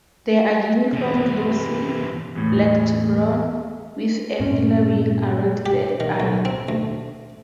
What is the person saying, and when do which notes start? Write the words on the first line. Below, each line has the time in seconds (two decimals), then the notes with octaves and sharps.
They are uniform glossy black to brown, with a paler ring around the eye.
0.93 C3 E3
2.35 E2 A2
4.40 G2 A#2 C4 C#4
5.66 G4
6.00 D#3
6.20 B1
6.45 C4
6.69 D2